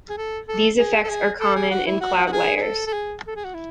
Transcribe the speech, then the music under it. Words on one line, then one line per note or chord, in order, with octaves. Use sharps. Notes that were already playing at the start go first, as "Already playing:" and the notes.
These effects are common in cloud layers.
G#4
A4
A4
G#4
A4
G#4
A4
G#4
F#4
E4
F#4
F#4
G#4
G#4
A4
A4
G#4
A4
G#4
F#4
E4